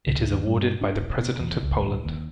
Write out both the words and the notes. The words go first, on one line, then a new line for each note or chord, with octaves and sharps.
It is awarded by the President of Poland.
C#2
D#2
G2
D4
E1
B2
E2
C#2
D1
D#2